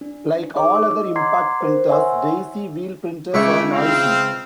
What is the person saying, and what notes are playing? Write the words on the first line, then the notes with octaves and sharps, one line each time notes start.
Like all other impact printers, daisy wheel printers are noisy.
D4
D#4 G#4 C#5 D6
D#5 E6
F#5 A#5 C6 D6 G#6 C7
A#4 C5
C#5 E5 F#5 G#5 C6 E6
C#2 A3 E5 G#5 C#6 D6
C4 F5